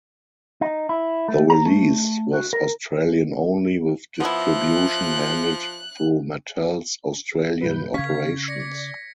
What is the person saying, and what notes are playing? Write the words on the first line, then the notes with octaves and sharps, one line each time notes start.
The release was Australian-only with distribution handled through Mattel's Australian operations.
D#4
E4
A3
A#5
A3
F#4
A#4
F3 B3 E4 F#6
G2 B2 F#3 B4 G6
C#3 C#4 F5 C#6 G#6 B6
D5 A#6 C#7